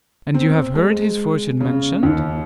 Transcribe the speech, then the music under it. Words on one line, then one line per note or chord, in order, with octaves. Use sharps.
"And you have heard his fortune mentioned?"
C4
G#3
C#3
D#2